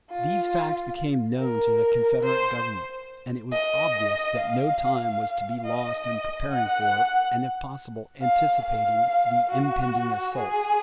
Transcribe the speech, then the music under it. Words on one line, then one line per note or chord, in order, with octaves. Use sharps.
These facts became known to the Confederate Government, and it was obvious that no time was to be lost in preparing for, and if possible anticipating the impending assault.
F4
A#4
C5
D#5
F5
D#5
F#5
F5
F5
F#4
G#4